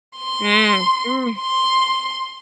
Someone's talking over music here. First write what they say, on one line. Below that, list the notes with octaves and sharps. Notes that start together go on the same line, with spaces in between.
Mm, mm.
C6
C6